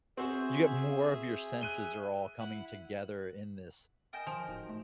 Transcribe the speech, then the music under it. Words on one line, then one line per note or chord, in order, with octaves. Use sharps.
you get more of your senses are all coming together in this
C4 F#4 G#4 C5 E5
F#6 D#7 G7
E4 F#5 B5
A#4 D#5 G5 G#5 A#6 E7
F3
D1 D#4 F#4
A3